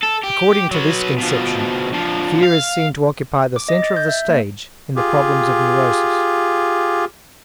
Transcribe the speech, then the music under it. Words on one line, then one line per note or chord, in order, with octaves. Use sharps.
According to this conception, fear is seen to occupy the center of the stage in the problems of neurosis.
A4
G4
F#3 B3
B2 F3
D3 F3
F5
D6
D#5
A6
G6
E5
A#3
F4 G4 G#4